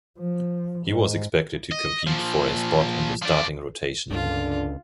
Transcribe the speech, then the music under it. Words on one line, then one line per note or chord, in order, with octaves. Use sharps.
He was expected to compete for a spot in the starting rotation.
F3
G#2
D#5
A#2 F3
F3 D5
C#2 G2 A#2 D3 D4 F4